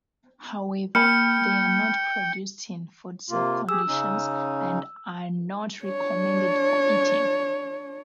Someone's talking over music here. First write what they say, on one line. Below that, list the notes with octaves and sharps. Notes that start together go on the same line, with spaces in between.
However, they are not produced in food-safe conditions, and are not recommended for eating.
A#3 G5 B5 F6 C#7
C3 A#3 F4
G4 G#4 E6
C#3 C#4 D#4
D4 C#5